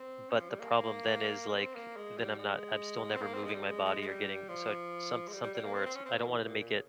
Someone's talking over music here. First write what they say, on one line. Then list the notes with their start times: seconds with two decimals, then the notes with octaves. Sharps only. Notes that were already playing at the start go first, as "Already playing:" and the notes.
but the problem then is, like, then I'm not I'm still never moving my body or getting so some something where it's I don't wanna make it,
Already playing: C4
0.29 C#4
0.39 F3
0.50 G3
0.60 A#3
1.49 A#3
1.54 C4
1.75 A#3
1.96 G#3
2.17 G3
2.39 G#3
3.15 C4
3.22 A#3
3.34 C4
3.44 G#3
3.54 G3
3.65 G#3
3.85 G#3
4.02 G#3
4.07 G3
4.49 F3
5.28 G#3
5.33 G3
5.43 G3
5.54 G3
5.64 A#3
5.74 C4
5.86 C4
5.95 C#4
6.06 C4
6.17 A#3
6.27 E3
6.37 C3
6.48 A#2
6.59 A#2
6.73 C#3